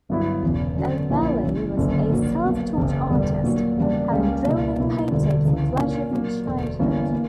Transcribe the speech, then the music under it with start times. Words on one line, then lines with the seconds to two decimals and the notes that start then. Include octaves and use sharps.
O'Malley was a self-taught artist, having drawn and painted for pleasure from childhood.
0.09 G1 G2 F#3 B3 E4
0.43 E1 E2 C#3
0.76 F#2 D3 F#3
1.10 A#1 A#2 A#3 C#4 E4
1.43 F#1 F#2 E3
1.77 F#1 F#2 D3 A#3
2.10 A#1 A#2 F#3 A#3
2.44 B1 B2 F#3 A#3
2.77 F#1 E2 C#3
3.10 E1 E2 D3 G3 B3
3.44 A#2 F#3 A#3
3.78 E2 C#3 G3 A#3 D4
4.10 C#2 C#3 G3 A#3 D4
4.45 C#2 B2 A#3 D4
4.78 B1 B2 A#3 E4
5.11 E1 D2 D3 G3
5.45 C#2 C#3 E3
5.79 A#2 A#3 C#4
6.11 A#2 F#3 A#3
6.46 E1 D2 D3
6.79 G1 G2 E3 A#3 C#4
7.13 A#3